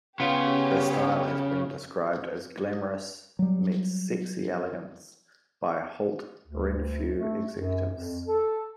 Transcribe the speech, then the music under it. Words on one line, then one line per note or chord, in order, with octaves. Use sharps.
Her style has been described as "glamorous" meets "sexy elegance" by Holt Renfrew executives.
C#3 B3 C#4 F4 G4
F#3 G3
D2
A3
F#2
F2
A4